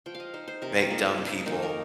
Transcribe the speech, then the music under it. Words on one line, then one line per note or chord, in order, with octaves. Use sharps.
make dumb people,
F3 G5
F5
D#5
D#4 C5
C5
C3 A#4
F3 A#3 D#4
C3
D#3 A#3 D#4
A#4